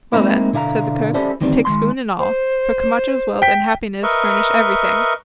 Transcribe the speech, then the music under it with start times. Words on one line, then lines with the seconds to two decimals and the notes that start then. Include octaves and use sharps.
"Well then," said the cook, "take spoon and all; for Camacho's wealth and happiness furnish everything."
0.13 G#3 A#3 C4 D#4 E4
0.53 B2 D3 E4 G#4 F5 A#5
1.14 C#4 E4 G4 A4 C5 D5
1.41 D2 D#3 E3 G3 C4
1.65 D#3 G#3 C6
2.19 C5
3.42 G5 B6
4.03 A#4 B4 D#5 E5 C#6